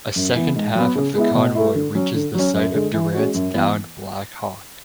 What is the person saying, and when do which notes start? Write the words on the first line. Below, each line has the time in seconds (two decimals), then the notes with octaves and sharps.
A second half of the convoy reaches the site of Durant's downed Black Hawk.
0.16 F#2
0.36 E3 B3
0.55 G#2
0.75 F#3 B3
0.95 C#3
1.15 G#3 B3 E4
1.35 B2
1.55 A3 E4
1.75 D3
1.95 F#3 C#4
2.14 D3
2.35 F#3 C#4
2.54 F#2
2.74 D3 G#3
2.94 E3
3.14 G#3 C#4 F#4
3.34 F#2
3.54 E3 B3 E4